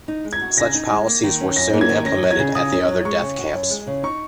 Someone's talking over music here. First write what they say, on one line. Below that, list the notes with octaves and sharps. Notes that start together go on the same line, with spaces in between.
Such policies were soon implemented at the other death camps.
D#4
G#3
G#6
F#4
C#3 A#6
D#4
G#3
A#3
D#3
C#4
F#2 A#6
A#3
G#6
D#3
C#4 A#6
F#3
G#6
C#3
C#3 D#6
C#4
F#3
G#3 C#6
C#3
F#4
F#2
G#3
C#3
D#4 C#6